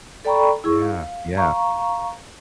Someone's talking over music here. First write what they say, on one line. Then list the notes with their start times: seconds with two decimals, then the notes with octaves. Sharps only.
yeah, yeah.
0.25 A4 D5 G5 A#5 B5 C#6
0.64 E4 G#4 C#6
0.80 F5
1.37 F5 A#5 C#6